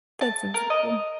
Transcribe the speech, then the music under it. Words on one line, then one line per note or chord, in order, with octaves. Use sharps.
That's insane.
A5
A#4
D#5